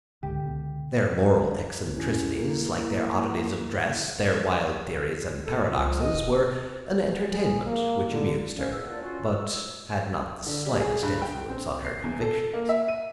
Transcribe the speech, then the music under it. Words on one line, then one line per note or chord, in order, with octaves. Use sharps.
Their moral eccentricities, like their oddities of dress, their wild theories and paradoxes, were an entertainment which amused her, but had not the slightest influence on her convictions.
C#2 G#2 D3 G4
C#2 B2
F2 C#4 E4
A#3
A4
F3
C#2
D#5
D#1
G#4
A#3
D3
D3 F3 G#3 C#4
E2 F#5 E6
A#3 C#4 D4 F4 D5
C#4 F4 F#4
E6
D3
G3
G#4
G2
G5
C4
C7
E2
A4
A#3
E5
D#7